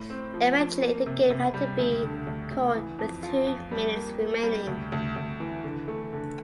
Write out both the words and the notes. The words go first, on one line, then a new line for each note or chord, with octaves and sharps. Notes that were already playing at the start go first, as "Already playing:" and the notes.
Eventually the game had to be called with two minutes remaining.
Already playing: A2
C4
F3
F3
A#3
C3
C3
G3
D2
D3
D2
D2
E3
F2
F4
F2
G3
A#3
A#3
G3
D2
D2
D2
E3
D3
A3
D3